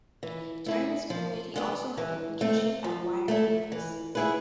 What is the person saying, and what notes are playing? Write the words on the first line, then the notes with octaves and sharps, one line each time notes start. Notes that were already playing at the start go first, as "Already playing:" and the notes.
During this period he also had an internship at Wired News.
E3
A3 E4 G#4
F3
B3 D4 F4 G#4
E3
A3 C4
F3
A3 E4 A4
E3
B3 E4 G#4 B4